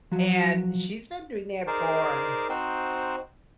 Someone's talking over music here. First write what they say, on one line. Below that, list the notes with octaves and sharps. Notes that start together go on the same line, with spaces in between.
And she's been doing that for
F3 F#3 F#4
D#4 G#4 A#4 C5 D5
C4 D#4 F#4 C5 G5